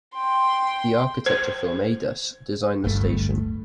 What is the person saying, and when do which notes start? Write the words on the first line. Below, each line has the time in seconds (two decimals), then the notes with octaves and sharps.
The architecture firm Aedas designed the station.
0.15 G5 C6
1.26 C5
2.84 D1 G1 G2 A3